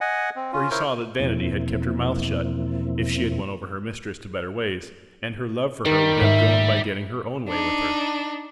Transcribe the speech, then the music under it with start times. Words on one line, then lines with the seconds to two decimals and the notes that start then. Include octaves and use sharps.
For he saw that vanity had kept her mouth shut if she had won over her mistress to better ways, and her love for her would have grown by getting her own way with her.
0.01 D#5 F#5 G#5
0.36 C4
0.53 C#4 F4
0.71 E4 A#4 C5 C#5
1.20 E2 B2 F3 A#3 C4 E4
5.86 D#3 G3
6.22 G#2 E5
7.48 D4 D#4